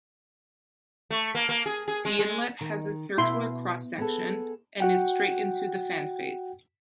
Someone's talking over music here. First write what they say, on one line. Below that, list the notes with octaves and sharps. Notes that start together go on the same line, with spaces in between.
The inlet has a circular cross section, and is straight into the fan face.
A3
A#3
A#3
G#4
G#4
G#3
G#3
D#3
B2 E4 C6
B3 G#4 A4
F#4 F#5 G5